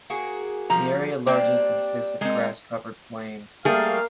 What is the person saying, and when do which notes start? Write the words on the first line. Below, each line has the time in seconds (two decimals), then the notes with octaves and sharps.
The area largely consists of grass-covered plains.
0.10 A#3 F#4 G#4
0.70 F3 G3 A#5
1.27 G3 A#3 C4 D4 C5
2.21 G#3 C4 D#4 A#4
3.65 G3 A3 A#3 G#4 F5